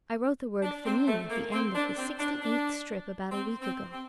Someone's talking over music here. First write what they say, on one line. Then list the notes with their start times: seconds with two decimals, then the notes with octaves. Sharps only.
I wrote the word finis at the end of the sixty-eighth strip about a week ago.
0.63 D4
0.85 C4
1.08 A3
1.30 A#3
1.52 C4
1.75 D4
1.98 C4
2.20 D4
2.42 D4
3.32 C4
3.62 C4
3.92 C4